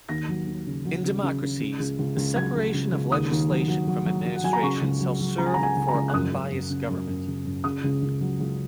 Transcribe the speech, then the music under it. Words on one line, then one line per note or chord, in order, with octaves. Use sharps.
In democracies, the separation of legislation from administration shall serve for unbiased government.
D#2 A#6
F#3
D#2
C#3
F#3
C#3
C#3
C#3
C#3
C#2
C#2
C#2
F#3 G#6
C#2
C#2
C#2
D#2 D#6
D#2
F#3
F#3
F#3
F#3
F#3
F#5
F#3 G#5
A#5
C#3 C#6
C#2
F#3
F#3
C#2 A#5
G#5
A#5
C#2
G#5
C#2
A#5
C#2
F#6
F#2 D#6
F#2
F#2
C#3
F#2
F#2
C#3
F#2
C#3 D#6
C#2
C#2
F#3
C#2